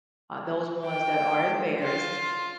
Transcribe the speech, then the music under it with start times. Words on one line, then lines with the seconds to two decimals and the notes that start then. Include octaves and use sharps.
uh, those ones that are embarrassed,
0.85 G5
1.83 F4